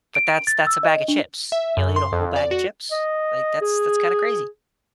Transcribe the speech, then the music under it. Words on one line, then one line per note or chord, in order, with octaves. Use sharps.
but that's that's a bag of chips. You'll eat a whole bag of chips. Like, that's that's kinda crazy.
D7
A6
E6
D#5
D4
E5
F#2
C6
F2
D5
F#4
D#5
G#4